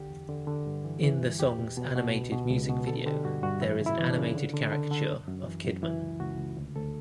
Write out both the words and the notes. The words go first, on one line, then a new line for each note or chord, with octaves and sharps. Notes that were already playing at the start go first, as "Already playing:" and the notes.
In the song's animated music video, there is an animated caricature of Kidman.
Already playing: D2 D3 G4
E2
D3
D3
G2
E3
E3
G2
E2 G4
B2
B2
B2
C#2
B2
C#2
B2
D3 A4
D3 G4
G2 F#4
G2 F#4
E3 E4
C#3
E4
E3
D4
C#3
D3
D3
D3
D3
F#2
F#2
E3
F#2
E3 E4
C#2
C#2 F#4
C#2
D2
D2 A4